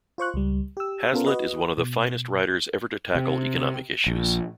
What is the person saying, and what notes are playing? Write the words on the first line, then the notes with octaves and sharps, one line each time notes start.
Hazlitt is one of the finest writers ever to tackle economic issues.
F4 C5 C#6 F#6
C#2 G3
G4 E6
B3 C#4 F4 A4 A#4
F#4 B4 D#5
B2
C3
A#1